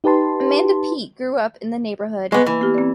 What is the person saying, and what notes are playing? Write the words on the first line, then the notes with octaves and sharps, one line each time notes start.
Amanda Peet grew up in the neighborhood.
D#4 G4 B4 A5 C6
G#3 B3 D#5 C#6 D6
E3 A#3
A#3 B3 G4
C4 D5